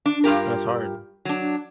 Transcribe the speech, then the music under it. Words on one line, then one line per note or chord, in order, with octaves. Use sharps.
but it's hard.
D4
G2 F4 G4 A#4
F#3 D4